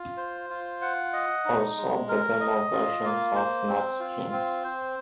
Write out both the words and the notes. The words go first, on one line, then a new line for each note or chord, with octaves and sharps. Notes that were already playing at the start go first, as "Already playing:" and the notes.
Also, the demo version has nag screens.
Already playing: F4
C5
F4
F#5
D#5
D#4
G#3
A#4
D#5
F4
A#3
C5
C4
F4
C4
C5